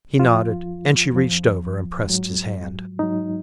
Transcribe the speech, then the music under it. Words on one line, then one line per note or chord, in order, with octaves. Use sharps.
He nodded and she reached over and pressed his hand.
F2 F3 F4
F2 F3
G#2 F#3
G#2 F#3 D#4